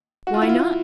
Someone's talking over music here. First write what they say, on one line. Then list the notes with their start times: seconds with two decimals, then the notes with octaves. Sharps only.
Why not?
0.27 F#4
0.34 F4
0.42 E4
0.49 F4